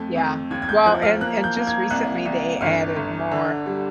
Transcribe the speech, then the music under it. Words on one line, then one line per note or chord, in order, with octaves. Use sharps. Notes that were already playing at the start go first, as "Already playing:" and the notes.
Yeah. Well, and and just recently they added more,
Already playing: F2 A3
F2
D#2 G#6
G#6
G6
F3 F#6
F6
A#3 F#6
G6
A#3
G#6
C2 F#6
C2
G1 F6
G1
D3
G3